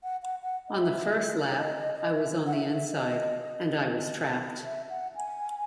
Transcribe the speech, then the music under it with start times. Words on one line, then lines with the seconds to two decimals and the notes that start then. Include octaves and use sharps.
On the first lap, I was on the inside, and I was trapped.
0.03 F#5
0.23 F#5
0.43 F#5
0.69 D#5
0.80 E5
1.51 C#5
1.57 D#5
1.76 D#5
1.96 D#5
2.15 E5
2.47 F#5
2.53 E5
2.72 E5
2.91 D#5
4.64 E5
4.90 F#5
5.15 G#5